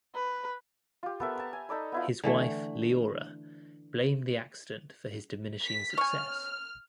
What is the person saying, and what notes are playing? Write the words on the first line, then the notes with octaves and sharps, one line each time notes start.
His wife, Leora, blamed the accident for his diminishing success.
B4
F4 G4
B3 A4 A#4 E5
A5 A#5
G#5
D#4 A4 D5 B5
B3 E4 F4
D3 E3 A3
B6
C#5 G#5 F6